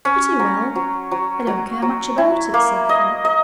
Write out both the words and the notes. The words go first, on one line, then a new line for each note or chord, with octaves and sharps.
"Pretty well; I don't care much about it," said Philip.
C#4
F#3
F#3
F#3
F#3
F#3
E4
A#3
D#5
D#5